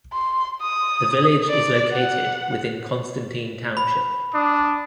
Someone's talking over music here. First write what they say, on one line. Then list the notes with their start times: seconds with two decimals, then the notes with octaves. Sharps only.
The village is located within Constantine Township.
0.13 C6
0.61 D#6
1.49 D5
1.92 F#5
3.77 B5
4.34 D4 D#6